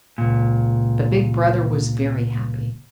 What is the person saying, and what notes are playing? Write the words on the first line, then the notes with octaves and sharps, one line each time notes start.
But Big Brother was very happy.
C#2 A#2